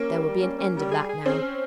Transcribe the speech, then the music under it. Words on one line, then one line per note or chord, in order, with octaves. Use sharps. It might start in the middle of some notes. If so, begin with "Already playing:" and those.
There will be an end of that now.
Already playing: A#3 C#4
G3
G3
C#4
C#4
G3
G#4
G#4
C4 C#4
C#4